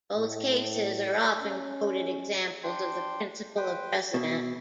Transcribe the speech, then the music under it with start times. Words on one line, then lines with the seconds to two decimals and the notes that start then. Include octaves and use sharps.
Both cases are often quoted examples of the principle of precedent.
0.16 A2
1.41 C#4
2.64 D4 G5 C6
3.57 B4 C5 G5
4.14 B2 E4